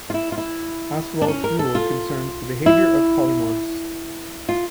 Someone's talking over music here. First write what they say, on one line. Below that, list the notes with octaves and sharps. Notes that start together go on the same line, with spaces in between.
Ostwald's rule concerns the behaviour of polymorphs.
F4
E4
F4
E4
D4
C#4
A#4
A4
F4
E4
F4